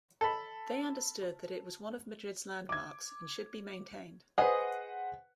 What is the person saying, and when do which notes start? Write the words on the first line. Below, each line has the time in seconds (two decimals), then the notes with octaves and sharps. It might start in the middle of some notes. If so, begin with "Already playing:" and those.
They understood that it was one of Madrid's landmarks and should be maintained.
0.21 A4 A5 B5
2.69 D6 G#6
4.38 G#4 B4 C5 D#5 F#5